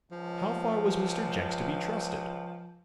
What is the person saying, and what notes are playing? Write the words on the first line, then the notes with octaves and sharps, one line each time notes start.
How far was Mr. Jenks to be trusted?
C#2 F3